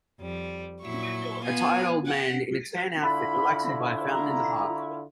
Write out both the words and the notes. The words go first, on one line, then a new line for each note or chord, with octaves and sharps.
A tired old man in a tan outfit relaxing by a fountain in the park.
F2 G3
A#2 F#3 E4 C#6
B3 F4 G#5
F#5 G5
D3 E4 F4 B5
A#5